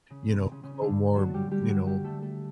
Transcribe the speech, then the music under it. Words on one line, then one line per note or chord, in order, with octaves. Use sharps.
you know, grow more, you know,
C#3 C#4
C3 C4
C#3 C#4
C#3 C#4
C#3 C#4
C#4
D3 D4
F#3 F#4
G3 G4
G3 G4
F#3 F#4
G3 G4
A3 A4
A3 A4